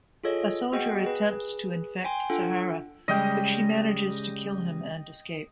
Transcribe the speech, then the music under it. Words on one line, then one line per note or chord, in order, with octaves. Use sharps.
A soldier attempts to infect Sahara, but she manages to kill him and escape.
F4 G#4 A4 C#5 D#5
B3 F#4 G#4 D#5 F#5 G5
G#4 B4
G5 G#5 C6
D4 F4 A4 F#5
C#3 G3 G#3 D#5 G5